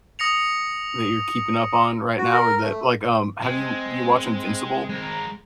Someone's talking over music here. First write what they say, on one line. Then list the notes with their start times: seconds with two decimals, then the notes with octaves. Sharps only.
that you're keeping up on right now or that like, um have you do you watch Invincible?
0.19 D#6 A#6 C#7 F7
2.18 F#4
2.33 A#4
2.63 A3
3.42 G#3 C4
4.89 G#3 A#4